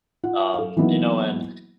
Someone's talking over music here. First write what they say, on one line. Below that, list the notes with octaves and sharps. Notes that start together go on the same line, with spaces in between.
um, you know, and
F4 F#5
A4 F5
E3 F#3 A#3 B3 D#4 E4